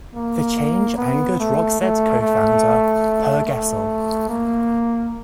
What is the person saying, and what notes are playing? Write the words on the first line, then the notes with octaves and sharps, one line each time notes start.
The change angered Roxette co-founder Per Gessle.
A#3
B3
A3
A3
A3
A3
A#3